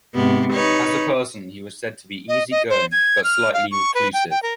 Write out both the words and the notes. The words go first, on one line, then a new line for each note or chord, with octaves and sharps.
As a person he was said to be easy-going, but slightly reclusive.
G#2 C3 B3
D#4 B4 C#5
D#5
D#5
C5
G#6
F6
F5
C#6
B4
G5
G5
A#4